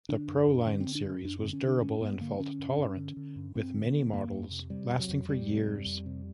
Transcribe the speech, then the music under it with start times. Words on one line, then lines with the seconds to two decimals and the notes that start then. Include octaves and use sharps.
The Pro-Line series was durable and fault-tolerant, with many models lasting for years.
0.09 D3 D4
0.28 F#2
0.47 F#2
0.66 D3 C#4
0.80 C4
0.86 D3
0.95 D4
1.05 F#2 C#4
1.25 F#2 D4
1.39 D3 C4
1.53 C#4
1.63 D3 D4
1.81 G2 C#4
2.01 G2 B3
2.21 D3 A#3
2.39 D3 C#4
2.59 G2
2.78 G2
2.97 D3
3.17 D3
3.36 G2
3.55 G2 C4
3.75 D3
3.84 B3
3.94 D3
4.13 F2 A#3
4.32 F2
4.51 C3
4.70 C3 G3
4.90 F2
5.00 F#3
5.09 F2
5.29 C3 G3
5.48 C3
5.66 F2
5.86 F2
6.06 C3